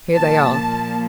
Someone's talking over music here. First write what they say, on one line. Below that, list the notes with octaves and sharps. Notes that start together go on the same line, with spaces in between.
"Here they are."
A#2 F3 A#3 A5